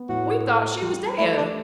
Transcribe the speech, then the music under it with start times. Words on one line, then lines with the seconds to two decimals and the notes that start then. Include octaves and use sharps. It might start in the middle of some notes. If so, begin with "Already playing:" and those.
We thought she was dead.
Already playing: B3
0.09 A2 F#4
0.45 A4
0.82 G3
1.18 A3 E4
1.37 D4